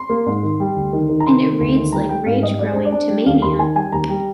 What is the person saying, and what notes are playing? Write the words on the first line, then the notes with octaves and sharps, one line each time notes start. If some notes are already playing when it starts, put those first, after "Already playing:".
And it reads like rage growing to mania!
Already playing: C6
A#3
G#2
D#3
G3
D2
D#3
D#3
A#5
C3 C6
D#3
D2
D#3
G3 A#5
G3 G5
G#2 F5
G3 D#5
G3 D5
D4 C5
D5
D4
G3
D#2 F5
D#2 C6
D#3 G#5
G3 G#5
D#2 A#5
G3